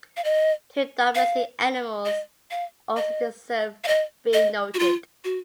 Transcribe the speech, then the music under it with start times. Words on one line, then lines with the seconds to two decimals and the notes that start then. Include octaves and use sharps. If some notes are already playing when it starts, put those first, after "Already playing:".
Two domestic animals also deserve being noted.
0.17 F5
0.24 D#5
1.15 F5
2.05 D#5
2.51 F5
2.97 D#5
3.84 F5
3.88 D#5
4.34 D#5
4.74 F#4
4.79 F4
5.25 F#4